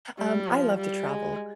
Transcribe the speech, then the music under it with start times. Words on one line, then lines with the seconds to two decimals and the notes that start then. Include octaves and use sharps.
Um, I love to travel.
0.18 G3
0.47 F3
0.78 G3
1.08 G#3